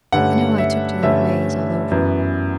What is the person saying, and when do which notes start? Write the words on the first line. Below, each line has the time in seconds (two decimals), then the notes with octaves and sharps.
I know I took to their ways all over.'
0.12 G2 D3 A3 C#4 F#5
0.58 E5
1.02 G2 D3 A3 C#4 E5
1.91 F#2 E3 B3